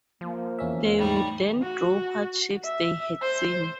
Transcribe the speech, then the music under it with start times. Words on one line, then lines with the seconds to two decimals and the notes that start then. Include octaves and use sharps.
They would then draw what shapes they had seen.
0.21 F3 A#3
0.59 E2 C#4 E5
0.99 A2 G3 D#4
1.62 F#4
2.65 E5
3.21 C5